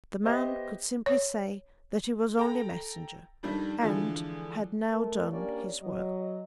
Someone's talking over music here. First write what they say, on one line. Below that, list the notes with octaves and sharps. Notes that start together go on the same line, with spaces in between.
The man could simply say that he was only a messenger, and had now done his work.
B3 G4 C5 D#5 E5
C#5
A4 G5 A#5
F2 D#3 G3 D4
D3 E3 F3 G#3
A3 A#4
A#3 C#4 D4 G4 C#5 D5
F#3 D#5